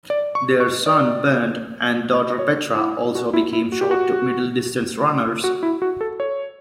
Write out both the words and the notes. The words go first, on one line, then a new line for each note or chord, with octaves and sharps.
Their son Bernd and daughter Petra also became short to middle-distance runners.
D5
C#6
C#6
D5
C#5
E4
F#4
E4
E4
F#4
G4
F#4
F#4
E4
F#4
A4
C#5